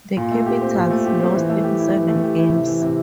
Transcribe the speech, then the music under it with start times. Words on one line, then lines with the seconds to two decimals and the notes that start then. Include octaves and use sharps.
The Capitals lost in seven games.
0.17 A#2
0.31 A3
0.46 G4
0.61 C4
0.76 A#2
0.91 A3
1.05 G4
1.20 C4
1.35 E3
1.49 A3
1.64 G4
1.79 E4
1.94 E3
2.08 A3
2.23 G4
2.38 E4
2.52 C3
2.67 E3
2.82 C3